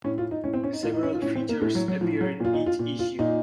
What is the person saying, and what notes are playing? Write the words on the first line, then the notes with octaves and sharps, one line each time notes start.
Several features appear in each issue.
A2 C#4
F4
D#4
A2 C#4
C4
C#4
D#4
A2 F4
D#4
C#4
F4
A2 C#4
C4
A#3
A2 A3
F#3
F#3
A2 F3
F#3
A#2 F4
D#4
F4
A#2
F4
A#2 D#4